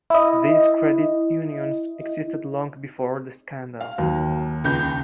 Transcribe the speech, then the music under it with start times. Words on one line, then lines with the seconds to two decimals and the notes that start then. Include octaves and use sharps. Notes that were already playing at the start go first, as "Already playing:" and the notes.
These credit unions existed long before the scandal.
0.10 E4 D#5
3.81 F5
3.98 D#2 F#3
4.64 C#2 G6